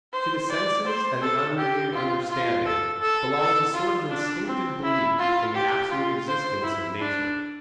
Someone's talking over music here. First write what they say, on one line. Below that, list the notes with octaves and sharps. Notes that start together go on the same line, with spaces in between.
To the senses and the unrenewed understanding, belongs a sort of instinctive belief in the absolute existence of nature.
C5
D5
C5
A4
G4
F4
F4
A4
A4
A4
F4
D4
C4
E4
F4
G4
F4
C5
E4
D4